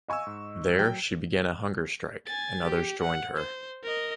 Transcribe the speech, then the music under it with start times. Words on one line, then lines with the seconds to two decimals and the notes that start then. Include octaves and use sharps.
There, she began a hunger strike, and others joined her.
0.08 D#5 F5 G#5 C#6 E6
0.27 G#2
0.79 F#3 G5
2.26 G#5 A6
2.64 G4
3.02 F#5
3.37 C5
3.83 A#4 D#5